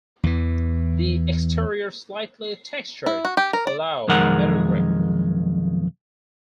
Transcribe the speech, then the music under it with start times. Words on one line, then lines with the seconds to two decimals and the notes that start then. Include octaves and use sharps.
The exterior's slightly textured to allow better grip.
0.23 E2 E3
3.06 E4
3.25 F#4
3.37 G4
3.53 A#4
3.67 D5
4.08 B1 F2 D#3 G#3 A#4 F#5